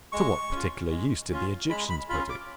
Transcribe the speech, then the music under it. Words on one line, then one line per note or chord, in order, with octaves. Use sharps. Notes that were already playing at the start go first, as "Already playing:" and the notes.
To what particular use did the Egyptians put it?
G#3 C#6
C#4 F4
G#3
C#4 F4
G#3 B5
B5
C#4 F4 B5
D6